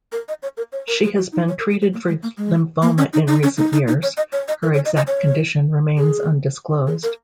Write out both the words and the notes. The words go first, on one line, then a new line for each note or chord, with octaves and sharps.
She has been treated for lymphoma in recent years; her exact condition remains undisclosed.
A#4
D#5
C#5
A#4
C#5
A#4
G#4
F#4
D#4
C#5
A#4
G#4
G#3
A#3
G#3
A#3
G#3
A#3
C#4
D#4
D#4
C#4
D#4
D#4
D#4
C#5
D#5
C#5
D#5
A#4
C#5
D#5
D#5
C#5
G#4
G#4
A#4